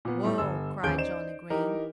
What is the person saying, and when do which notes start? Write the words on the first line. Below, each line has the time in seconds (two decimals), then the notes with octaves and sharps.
"Whoa!" cried Johnnie Green.
0.05 A#2 B3
0.24 A2 G3
0.38 G1 E6
0.83 A1 D#2 G#4 G6 D7
0.98 D#4 C5 D5 E7
1.50 E3 D#4 G4 A#4